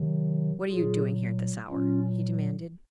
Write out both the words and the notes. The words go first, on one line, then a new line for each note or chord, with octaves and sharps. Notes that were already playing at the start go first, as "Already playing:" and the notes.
"What are you doing here at this hour?" he demanded.
Already playing: C3 D#3 F#3
A#2 F#3 F4 G#4
A#2 F#3 C#4 F4